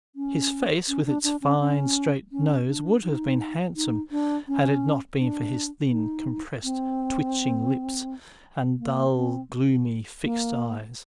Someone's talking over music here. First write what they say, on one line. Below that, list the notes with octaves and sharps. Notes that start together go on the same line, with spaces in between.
His face with its fine straight nose would have been handsome had it not been for his thin, compressed, twitching lips and dull, gloomy, fixed eyes.
C#4
C#4
D4
D4
C#4
C#4
C#4
D4
D#4
D#4
D4
C#4
D4
D#4
C4
A#3
C4
A#3